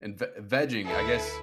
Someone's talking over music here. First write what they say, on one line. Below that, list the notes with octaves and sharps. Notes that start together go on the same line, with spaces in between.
and v vegging, I guess,
D2 E4 A4 B4